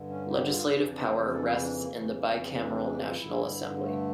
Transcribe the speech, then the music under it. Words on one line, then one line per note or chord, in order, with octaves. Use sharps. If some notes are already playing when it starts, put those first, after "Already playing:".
Legislative power rests in the bicameral National Assembly.
Already playing: G2 D3
C#4
G4
F4
F2 C#3 E3 D4
A4
E4
D4
A#3
F2 C#3 E3 A3
A#3
C#4
D4
G4
F4
G2 D3 E4
A3